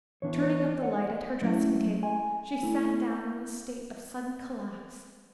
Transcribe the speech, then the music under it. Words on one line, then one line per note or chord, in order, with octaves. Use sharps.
Turning up the light at her dressing-table, she sat down in a state of sudden collapse.
E3 B3 D4 C#5
C#5
D5
F#5
F#3 A3 C#4 E4
G#5
A3 E4